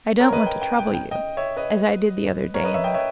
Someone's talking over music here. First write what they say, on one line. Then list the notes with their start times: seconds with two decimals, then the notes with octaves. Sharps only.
I don't want to trouble you--as I did the other day in Rome.
0.20 A#4 C#5
0.33 B4 D#5
0.46 G5
0.62 G5
0.79 G5
0.94 G5
1.11 D#5 G5
1.37 C#5 E5
1.57 B4 D#5
2.54 A#4 C#5
2.64 B4 D#5
2.74 C#5 E5
2.84 D#5 G5
2.94 C#5 E5